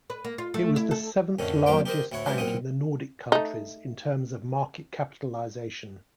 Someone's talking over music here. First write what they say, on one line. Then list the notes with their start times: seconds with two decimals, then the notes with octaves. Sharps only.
It was seventh largest bank in the Nordic countries in terms of market capitalization.
0.10 B4
0.24 A#3
0.38 F4
0.54 A3
0.76 E4
0.91 A4
1.39 F2 A2 D3 D#3 C#4
1.66 B1 F#2 A#3 F4 C5 G5
1.86 G4 G#4 A#4 C5 D#5
2.12 D2 A2 E4 C#5 F#5
2.26 C#3 E3 F#3 G#3 G4 C5
2.38 B1 A#2 C4 F#5 D#6
3.32 A3 D#4